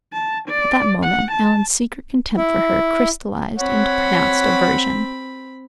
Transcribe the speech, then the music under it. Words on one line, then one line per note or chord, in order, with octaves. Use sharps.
At that moment Alan's secret contempt for her crystallized into pronounced aversion.
A5
D5
F#5
A5
E4
C4 C#5 F#5 B5